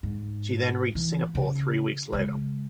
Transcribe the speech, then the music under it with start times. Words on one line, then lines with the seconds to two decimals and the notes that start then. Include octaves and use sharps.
She then reached Singapore three weeks later.
0.03 G#2
0.95 E3
1.35 C#3
2.13 C#3 G#3